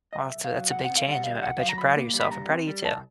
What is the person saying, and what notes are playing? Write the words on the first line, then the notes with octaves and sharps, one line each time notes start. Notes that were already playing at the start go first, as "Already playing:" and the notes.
Well, that's a that's a big change. I I bet you're proud of yourself. I'm proud of you too.
D#5
B1 E5
B1
F5
F#3
C#2 F#5
C4 F#5
F5
G3 F#5
D2 F5
D2 F#5
F#3 F5
A#5
D2 B5
A#3
G3
B5
G2 A#5
C4
G3
C2 A5